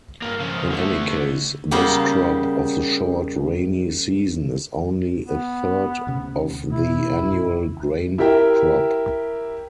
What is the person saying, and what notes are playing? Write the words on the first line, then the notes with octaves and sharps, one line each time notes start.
In any case, this crop of the short rainy season is only a third of the annual grain crop.
G2 A#3
C#3 F3
D3 A3
C#3 G3 A#3 B3 G4
B3
D2 C3 C#4
B2 E4
F#2
E4 G4 A#4 E5 G5